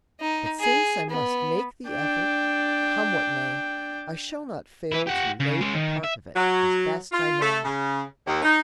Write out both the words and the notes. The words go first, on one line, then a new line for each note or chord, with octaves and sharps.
But since I must make the effort, come what may, I shall not fail to relate a part of it, as best I may.
D#4
G#4
B3
D4 G5
E4 B4
G4 F#5
C#3
G#3 C#4
D#3
E5
F#3
F4
A3
C#3
D#2
D#4